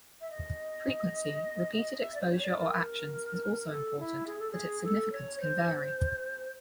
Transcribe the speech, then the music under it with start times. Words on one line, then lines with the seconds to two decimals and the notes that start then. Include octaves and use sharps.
Frequency, repeated exposure or actions, is also important, but its significance can vary.
0.21 E5
0.31 D#5
2.00 E5
2.15 D5
2.22 C5
2.28 C#5
2.42 D5
2.57 A#4
3.70 A4
3.99 E4
4.27 G#4
4.39 A4
4.51 G#4
4.84 A4
5.12 C#5
5.41 C5